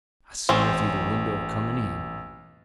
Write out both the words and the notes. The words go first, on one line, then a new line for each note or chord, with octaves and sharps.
I seen her through the window a-comin' in.
A1 C4 C#4 C5